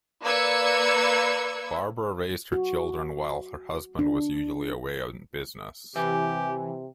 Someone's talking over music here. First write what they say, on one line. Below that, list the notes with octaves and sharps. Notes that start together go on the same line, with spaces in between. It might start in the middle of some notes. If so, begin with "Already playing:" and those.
Barbara raised her children while her husband was usually away on business.
A#3 B4 D5 E6 G#6 C#7
F#4
D4
C3 E3 G4 G#5